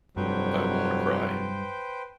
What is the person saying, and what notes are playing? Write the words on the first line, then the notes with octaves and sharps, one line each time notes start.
I won’t cry.
F1 G2 F#3 B4 C5 G5